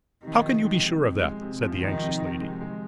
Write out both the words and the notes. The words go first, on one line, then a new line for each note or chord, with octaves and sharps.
"How can you be sure of that?" said the anxious lady.
C3 D#3
F3
G#3
C3
C3
G#3
C3
F3
D#3 F3
C3
C3
G#3
G#3